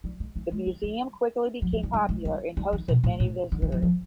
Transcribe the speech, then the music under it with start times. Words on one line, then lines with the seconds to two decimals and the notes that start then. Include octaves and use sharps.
The museum quickly became popular and hosted many visitors.
0.04 G3
0.20 G#3
0.36 A3
0.51 G#3
0.67 G#3
0.83 G3
1.62 F#3
1.73 F#3
1.83 G3
1.94 G3
2.09 G#3
2.25 G3
2.57 G3
2.73 D#3
2.88 B2
3.04 A2
3.20 A2
3.52 D3
3.62 D#3
3.72 E3
3.82 F3